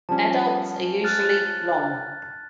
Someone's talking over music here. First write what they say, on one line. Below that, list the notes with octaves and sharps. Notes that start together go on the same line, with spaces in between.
Adults are usually long.
F3 G3 C#4 A5
F6 F#6 A6